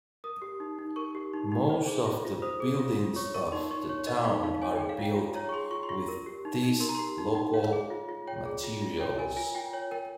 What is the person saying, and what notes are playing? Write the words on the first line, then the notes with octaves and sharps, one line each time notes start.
Most of the buildings of the town are built with these local materials.
A#4 D#6
G4
D#4
D#4
A#4 C#6
G4
D#4
D#4
C5
G#4
F4
F4
C5 D#6
G#4
F4
F4
C#5 C#6
A#4 C#6
D#4 C6
D#4 C#6
C#5 C#6
A#4 D#5
D#4 F5
D#4 F5
C#5 G#5
G#4 G5
F5
F4 G5
F4
C#5 A#5
C#6
G#4 C6
F4 C#6
C6
F4 C#6
A#4
G4
D#4
D#4
A#4 C6
A#5
G4 C6
D#4
D#4
C#5 F5
G#4
F4
F4
C#5 G5
G#4
F4
F4
C#5 G5
A#4 G#5
F4 G#5
F4 G5
C#5 G5
A#4 G5